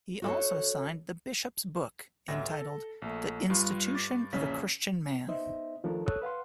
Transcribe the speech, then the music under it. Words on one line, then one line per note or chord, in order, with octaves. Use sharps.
He also signed 'the bishops' book,' entitled "The Institution of a Christian Man".
F#4 A4 C#5
A1 D2 E5 A#6
A4
A#1 A3
G2 G3 F4
G2 D6 A6
A#1 E2 C#3 C#4 B6
B3 D#4 C5 D#5 E5
D#3 F3 A3 D4 A4 A#4
A4 C#5 D#6 E6 F#6
B4 F5 F#5 C6